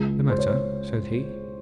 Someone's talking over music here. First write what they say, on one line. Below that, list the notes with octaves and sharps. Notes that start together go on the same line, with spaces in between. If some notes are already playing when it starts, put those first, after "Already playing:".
'The matter?' said he.
Already playing: C#2 C#3 G#3
C5
C#5